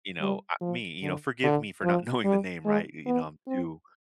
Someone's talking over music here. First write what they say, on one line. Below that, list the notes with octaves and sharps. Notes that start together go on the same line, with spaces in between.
you know, uh me you know, forgive me for not knowing the name, right? You you know, I'm too
G3
F3
D3
D3
F3
G3
G#3
B3
C4